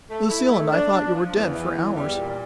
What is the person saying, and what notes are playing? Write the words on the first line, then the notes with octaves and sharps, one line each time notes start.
Lucille and I thought you were dead for hours.
A3
E4
A3
D4
D4
F3
E2
E3
E2
G3
A#2